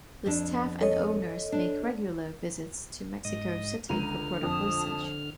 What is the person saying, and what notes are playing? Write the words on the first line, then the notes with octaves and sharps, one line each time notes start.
The staff and owners make regular visits to Mexico City for product research.
F2 D4
A4 C#5 D#5
D4
G#2 D#5 D#6
C#2 D3 A#5 F6 D#7
F2 A5 D#6